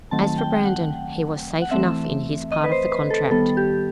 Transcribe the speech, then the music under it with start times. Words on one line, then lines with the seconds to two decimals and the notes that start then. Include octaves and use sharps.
As for Brandon, he was safe enough in his part of the contract.
0.11 D#3 F#3 A3 C4 A5
0.38 G5
0.53 G5
0.65 F#5
1.62 F#5
1.71 E3 A3 C4 E5
2.51 D#5
2.64 B4
2.72 C5
2.91 B4
3.10 A4
3.31 D#3 G3 B3 A4
3.57 G4